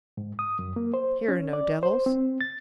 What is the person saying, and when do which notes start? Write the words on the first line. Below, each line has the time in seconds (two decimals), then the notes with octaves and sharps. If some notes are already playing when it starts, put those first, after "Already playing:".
Here are no devils.
0.17 G#2
0.39 D#6
0.59 F#2
0.76 A#3
0.94 C5
1.28 C#4
1.53 D5
1.83 C5
2.06 C4
2.41 A6